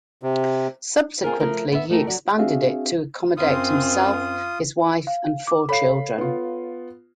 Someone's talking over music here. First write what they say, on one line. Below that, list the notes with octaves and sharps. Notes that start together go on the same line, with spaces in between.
Subsequently, he expanded it to accommodate himself, his wife and four children.
C3
C4 F4 G#4 A#4
F3 A3 E4 A#4
B3 C5 E5
D#3 A3 G4 A#4
F#3 F#4 D5
C4 D4 F#4 G#4 E5 F5
F#2 C4 F4 D#6
F5
D6
A4 C#5 F5 B5 C7
B3 F4